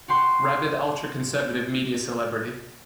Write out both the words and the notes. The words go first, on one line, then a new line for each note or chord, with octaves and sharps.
Rabid- Ultra-conservative media celebrity.
F#4 G4 C6